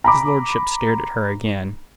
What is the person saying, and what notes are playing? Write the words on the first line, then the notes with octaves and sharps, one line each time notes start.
His lordship stared at her again.
A#5 B5 D6